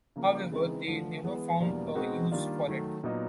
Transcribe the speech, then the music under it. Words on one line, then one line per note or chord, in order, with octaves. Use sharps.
However, they never found a use for it.
C#3 F3 A#3
C#3 E3 G#3 C4 D#4
D3 F3 A3
E3 G#3 B3
E2 B2 G3 A#3 D4
B2 G#3 C4 D#4 F#4
D#3 G3 A#3 D4 F4
D#3 F#3 A3
A#2 F#3 B3 D#4